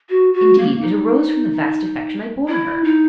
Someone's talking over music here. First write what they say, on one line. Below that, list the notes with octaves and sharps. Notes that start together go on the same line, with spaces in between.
Indeed it arose from the vast affection I bore her.
F#4
F#4
A#3
D#4
E4
D#4